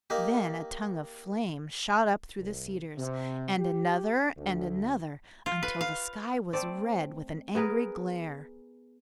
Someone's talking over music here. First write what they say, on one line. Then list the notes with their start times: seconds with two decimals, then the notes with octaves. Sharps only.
Then a tongue of flame shot up through the cedars, and another and another until the sky was red with an angry glare.
0.10 A#3 D#4 G4
2.38 C2
2.97 C3
3.58 G4
4.37 D2
5.46 F4
5.63 B4
5.81 F5
6.53 A3 C4 D5
7.55 B3 G#4 A#4 B4